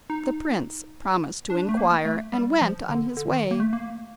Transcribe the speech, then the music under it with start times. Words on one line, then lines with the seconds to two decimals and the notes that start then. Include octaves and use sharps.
The prince promised to inquire, and went on his way.
0.10 D#4
1.50 D4
1.69 A3
1.77 A#3
2.05 A3
2.33 G3
2.61 F3
2.89 D3
3.17 D3
3.32 D#3
3.51 A#3
3.60 A3
3.73 A#3